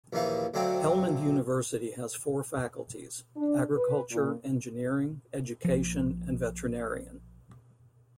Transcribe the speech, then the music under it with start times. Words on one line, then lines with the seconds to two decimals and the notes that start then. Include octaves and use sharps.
Helmand University has four faculties, Agriculture, engineering, education and veterinarian.
0.13 A#1 D#2 E3 D#4 F5
0.54 D2 D3 F#3 C4 F5 G5
3.37 D4
3.76 B4
4.10 A#2
5.64 A#1 F3